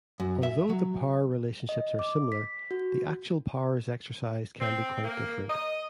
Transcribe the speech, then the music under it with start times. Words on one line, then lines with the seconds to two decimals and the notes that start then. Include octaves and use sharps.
Although the power relationships are similar the actual powers exercised can be quite different.
0.20 F#2
0.43 E5
0.70 F#3
1.69 D#5
1.99 D6
2.32 B6
2.71 F#4
4.60 C4
5.04 A#3
5.50 D#5